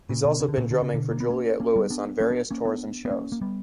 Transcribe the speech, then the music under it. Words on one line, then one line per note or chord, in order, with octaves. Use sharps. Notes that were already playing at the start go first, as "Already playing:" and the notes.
He's also been drumming for Juliette Lewis on various tours and shows.
A#2 C#3
B2 D3
C#3
D3
A#2 C#3
D3
C#3
B2 D3
A#3
B3
A#3 C#4
A#3 C#4
G3 B3
B3 D4
A#3 C#4
B3 D4
A#3 C#4
B3 D4
B3
A#3 C#4
A#3
G3 B3